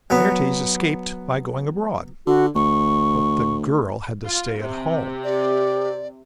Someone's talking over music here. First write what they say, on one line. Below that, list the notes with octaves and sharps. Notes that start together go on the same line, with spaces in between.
Laertes escaped by going abroad, but the girl had to stay at home.
F#3 B3
D3 F#4
D2 C#6
F4
C3
G4 D5